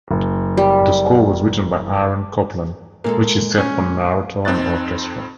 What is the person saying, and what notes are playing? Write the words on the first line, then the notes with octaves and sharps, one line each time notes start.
The score was written by Aaron Copland, which he set for narrator and orchestra.
F#1
G3
A#2 G#3 A#3 A4
C#4
F2 C4 D#4 F#6 A6